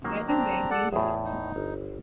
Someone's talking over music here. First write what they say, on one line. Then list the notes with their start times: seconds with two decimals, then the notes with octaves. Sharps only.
Welpen wear green uniforms.
0.04 D#3 F#3 A#3
0.28 C4 D4 A#5
0.71 A4 D5 F#5
0.93 E2 A2 G#4
1.25 D#4
1.56 G1